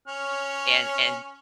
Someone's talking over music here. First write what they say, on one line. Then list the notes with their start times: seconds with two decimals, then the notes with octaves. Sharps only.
and and
0.08 C#4 C#5 F6